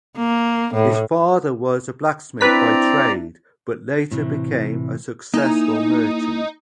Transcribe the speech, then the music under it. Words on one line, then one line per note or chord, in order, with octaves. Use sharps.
His father was a blacksmith by trade, but later became a successful merchant.
A#3
A2
C4 D4 E4 B4 D5 A#5 B6
A2 C3 E3
A#3 D#4 E4 G#5